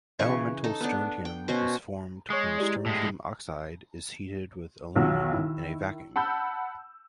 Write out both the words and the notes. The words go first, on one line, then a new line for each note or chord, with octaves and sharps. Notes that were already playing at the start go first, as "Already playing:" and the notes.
Elemental strontium is formed when strontium oxide is heated with aluminium in a vacuum.
C#3 E3 C#4 C#6
D#4 A4
B3 D4
G5
B2 C#4 F#4 C5
G#3 C#5 C#6 D#6
E4 G4 D5
A2 G#3
B1 D#3 F4 F#4 E6
D#3 E4
F#5 A5 B5 E6 G6